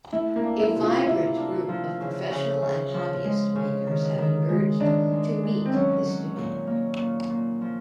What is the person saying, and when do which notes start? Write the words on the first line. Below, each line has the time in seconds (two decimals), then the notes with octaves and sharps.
A vibrant group of professional and hobbyist makers have emerged to meet this demand.
0.12 A3 E4
0.36 A#3
0.44 D4
0.59 E4
0.75 C3
0.83 F4
1.06 C3 E4
1.37 D4
1.69 F3
2.00 C#3
2.31 C#3
2.62 C#3
2.94 F3
3.25 G#3
3.55 C#3
3.87 D#3
4.18 D#3
4.49 G#3
4.80 D#3 D4
5.12 G#3
5.43 G#3
5.66 C4
5.73 F#3 C#4
6.05 F#3
6.36 A#2
6.67 A#3
6.99 A#2
7.30 A#2
7.61 F3